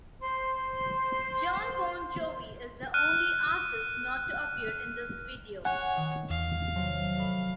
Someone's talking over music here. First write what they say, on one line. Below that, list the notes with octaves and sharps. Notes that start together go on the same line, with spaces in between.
Jon Bon Jovi is the only artist not to appear in this video.
C5 C6
F6 F#6 D#7
C#5 F#5 G#5
D#3
E2 F5
C3 F3 F#3
A3 D#5 B5